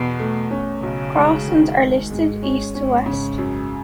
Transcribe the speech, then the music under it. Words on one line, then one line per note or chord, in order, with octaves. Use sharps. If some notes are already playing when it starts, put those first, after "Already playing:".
Crossing are listed east to west.
Already playing: E2 B2
A3
C#4
B1 C#3
G#3
D#3
G#2
G#2 G#3
C#4
G#2 C#4
C#3
F#2